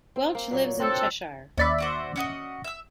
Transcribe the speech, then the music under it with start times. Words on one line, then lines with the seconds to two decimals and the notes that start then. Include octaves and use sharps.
Welch lives in Cheshire.
0.16 C4
0.35 A#3
0.51 A#2 F#3 C#5
0.80 C4 D4 A4
1.58 D#2 C#4 B4 D5 E5
1.78 D4 F#4 C5
2.16 C#4 F#4 D#5
2.64 E5 E6